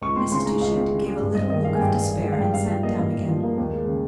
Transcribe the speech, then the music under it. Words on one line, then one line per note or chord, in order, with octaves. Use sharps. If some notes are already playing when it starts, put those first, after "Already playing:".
Mrs. Touchett gave a little look of despair and sat down again.
C#2 C#6
C4 C6
C#3 C6
G#3 A#5
C#2 F5
C4
C#3
G#3
G2
G2 D#5
D#3 D#5
G#3 F5
G#5
G2 G5
G2
D#3
G#3
F5
G2 G5
G2 F5
F3 G5
A#3 D#5
G2 F5
G2
F3
A#3
D#2
G#3
C#3